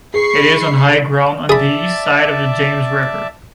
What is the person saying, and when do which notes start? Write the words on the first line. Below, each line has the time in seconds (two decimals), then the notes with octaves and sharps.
It is on high ground on the east side of the James River.
0.14 G#4 B5 C#6 C7
1.49 G#4 D5 E5 A5 B5